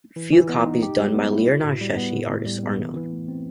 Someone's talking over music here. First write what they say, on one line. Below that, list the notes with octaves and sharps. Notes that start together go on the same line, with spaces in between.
Few copies done by Leonardeschi artists are known.
E3
E3
B3
D#4
G4
G3
B3
E4
F#4
A2
G3
B3
A2
A2
G3
B3
E3
E3
A3
C4